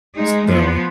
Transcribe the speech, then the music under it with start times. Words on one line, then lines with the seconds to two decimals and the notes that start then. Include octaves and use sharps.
s so,
0.15 G#3 D#4
0.47 F3 B3